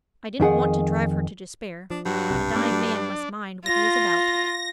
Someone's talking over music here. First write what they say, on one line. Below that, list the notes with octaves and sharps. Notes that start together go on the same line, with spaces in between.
I didn't want to drive her to despair: a dying man must mind what he is about.
F2 D#3 G#4 F#5
F3 D4
G2 F#3
B1 C3
A3 B3 C#4 D4
F#3
F4 A#6